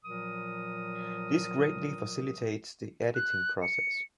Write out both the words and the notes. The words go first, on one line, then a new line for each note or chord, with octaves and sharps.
This greatly facilitates the editing process.
A#2 F3 F#3 A#4 D#6
F#6
C#7